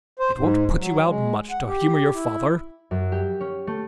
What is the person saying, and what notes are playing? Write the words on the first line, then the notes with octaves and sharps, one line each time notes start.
It won't put you out much to humor your father!
C5
G#2
F#3
G#3
F#5
G4
E4
F#2
G4
C#4
A3